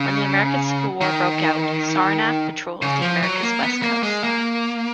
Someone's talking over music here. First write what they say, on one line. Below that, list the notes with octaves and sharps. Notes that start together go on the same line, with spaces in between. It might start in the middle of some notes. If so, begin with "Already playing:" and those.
When the American Civil War broke out, "Saranac" patrolled America's West Coast.
Already playing: C#3
D#3
C#3
F3
F#3
A#3
B3
A#3
G#3
A#3